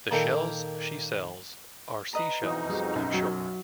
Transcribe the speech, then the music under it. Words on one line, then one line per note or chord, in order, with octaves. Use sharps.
The shells she sells are sea-shells, I'm sure.
A#2 D#3 A#3 A4 G5 B5
B4 D#5 A#5
F2 B2 E3 D#4 D#6
G3 F#4 G#4
B1 F#2
F#3